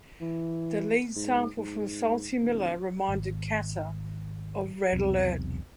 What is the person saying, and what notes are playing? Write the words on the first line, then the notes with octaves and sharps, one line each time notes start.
The lead sample from Salty Miller reminded Chater of "Red Alert".
E3
G#2
G#2
D1
G#1
E1 B1 C3